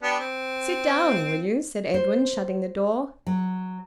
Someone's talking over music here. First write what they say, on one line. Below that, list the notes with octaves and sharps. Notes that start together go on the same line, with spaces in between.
"Sit down, will you?" said Edwin, shutting the door.
B3 D4 G4
C4
C5
F#3